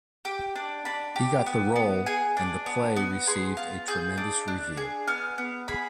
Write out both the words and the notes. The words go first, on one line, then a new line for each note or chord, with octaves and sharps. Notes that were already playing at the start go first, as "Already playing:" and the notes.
He got the role and the play received a tremendous review.
G4 G5
D4
D4 B5
G4
B3
B3
G#4 G#5
D4
B3
B3
G#4 C6
F4
G#4 G6
D4
D4
G#4
B3 F6
B3
G#4 B5